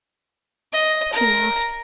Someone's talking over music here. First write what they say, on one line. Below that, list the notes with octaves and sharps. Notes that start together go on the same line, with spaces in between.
He laughed.
D#5
A#4 A#5